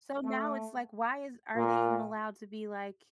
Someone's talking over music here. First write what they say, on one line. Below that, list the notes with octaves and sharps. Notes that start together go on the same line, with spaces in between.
So now it's like, why is are they even allowed to be, like,
A3
A#2